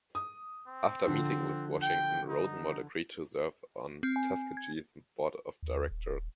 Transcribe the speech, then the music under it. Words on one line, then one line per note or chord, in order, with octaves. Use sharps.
After meeting with Washington, Rosenwald agreed to serve on Tuskegee's Board of Directors.
D#6
C4
D3 F3
G5
D#4
C4
G#5
G#6
D#2
D#1